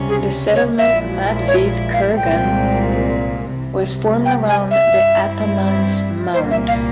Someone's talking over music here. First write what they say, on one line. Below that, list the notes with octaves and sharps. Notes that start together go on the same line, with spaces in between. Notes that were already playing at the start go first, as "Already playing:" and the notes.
The settlement Matveev Kurgan was formed around the ataman’s mound.
Already playing: C#2 C3 G3 C#4
G#4
C#5
A#1 A#2 F3 G#3 E4 E5
C#5
F5
C2 A#2 G#3 C4 G5
C2 C3 E3
G5
G#5
E5
G2 G3 C4 E4
C2 A#2 G3 A#3 C5
E5
F5